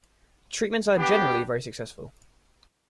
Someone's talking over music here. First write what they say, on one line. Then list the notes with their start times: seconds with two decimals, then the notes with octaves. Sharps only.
Treatments are generally very successful.
0.96 B3 D4 G4